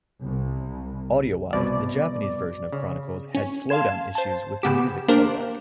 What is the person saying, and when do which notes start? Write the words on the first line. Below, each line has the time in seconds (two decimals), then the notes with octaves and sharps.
Audio-wise, the Japanese version of "Chronicles" had slowdown issues with the music playback.
0.24 C2
1.53 C2 B2 D5
2.72 C#3
3.35 C#4
3.69 F5 A5 C6 G#6 E7
4.15 C5 A5
4.62 C#3 B3 G4 E7
5.08 A#3 D4 G4 A#4 C5